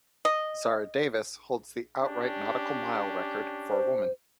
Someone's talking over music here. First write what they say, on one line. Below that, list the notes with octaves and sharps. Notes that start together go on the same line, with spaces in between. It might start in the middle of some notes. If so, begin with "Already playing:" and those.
Zara Davis holds the outright nautical mile record for a woman.
D#5
C#4 D4 G4
C5